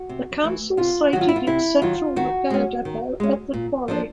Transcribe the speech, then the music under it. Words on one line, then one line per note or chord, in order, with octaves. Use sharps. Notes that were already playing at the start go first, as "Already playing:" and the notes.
The Council sited its Central Repair Depot at the quarry.
Already playing: F#4
C3
E3 A3
C3 F4
D#3 F#3 F#4
F4
E4
F4
C3 E4
D#3 F#3 F4
D#3 F#4
G#3 C#4
D#3
G#3 C#4
A#2
F3 A#3 D4